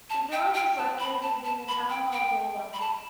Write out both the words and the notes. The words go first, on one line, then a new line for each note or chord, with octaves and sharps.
The village is located within the Town of Lowell.
A5
G5
G5
A5
B5
A5
A5
B5
G5
G5
B5
A5